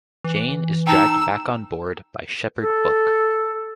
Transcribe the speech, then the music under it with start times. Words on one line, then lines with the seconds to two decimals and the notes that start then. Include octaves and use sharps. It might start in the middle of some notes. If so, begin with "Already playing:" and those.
Jayne is dragged back on board by Shepherd Book.
0.24 E3
0.87 D#4 G5 A5 A#5 E6
2.61 A4